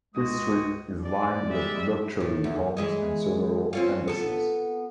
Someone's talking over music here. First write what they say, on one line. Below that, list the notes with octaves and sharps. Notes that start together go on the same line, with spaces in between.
This street is lined with luxury homes and several embassies.
C#2 G#3 F#4 D#6
D5
G3 G#3 E5
A2
E2
E3 G#3 D#5
C4 C#4 F4
B3 A4